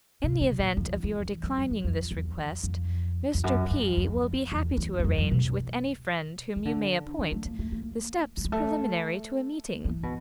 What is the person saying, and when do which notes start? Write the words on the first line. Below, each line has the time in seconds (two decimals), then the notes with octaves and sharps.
In the event of your declining this request, Mr. P. will be happy to arrange, with any friend whom you may appoint, the steps preliminary to a meeting.
0.24 C3
0.41 C#3
0.59 A#2
0.77 F2
1.03 E2
1.43 F#2
1.58 F#2
1.71 F#2
1.85 F2
2.11 E2
2.38 F2
2.64 F2
3.34 F2
3.44 F#2
3.71 G2
3.97 F2
4.52 E2
4.77 E2
4.99 F#2
5.04 F2
5.18 F#2
5.31 B2
6.56 D#3
6.65 D3
7.19 E3
7.32 A3
7.45 A#3
7.59 A3
7.72 A#3
8.37 G3
8.45 G#3
8.52 A3
9.85 E3
10.03 B2